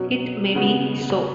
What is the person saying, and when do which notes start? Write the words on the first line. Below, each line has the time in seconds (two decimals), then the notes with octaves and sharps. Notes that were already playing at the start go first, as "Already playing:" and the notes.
It may be so.
Already playing: B2 F#3 C#4
0.54 C#3 G#3 B3 F#4